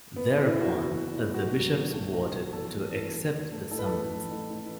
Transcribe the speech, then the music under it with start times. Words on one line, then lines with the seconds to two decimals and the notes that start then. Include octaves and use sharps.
Thereupon, the Bishops voted to accept the summons.
0.16 F#1 B3
0.30 D4
0.35 E3
0.46 E4
0.55 E2
0.61 F#4
0.75 F#1 E4
0.94 F#1
1.14 E3
1.34 B1 F#4
1.54 F#3
1.73 B2
1.93 B1
2.13 B1
2.33 F#3
2.53 E2 A4
2.73 A3
2.92 E3
3.12 E2
3.31 E2
3.51 A3
3.71 A1 A4
3.79 B4
3.86 A4
3.91 A3
4.11 A2
4.31 A1
4.50 A1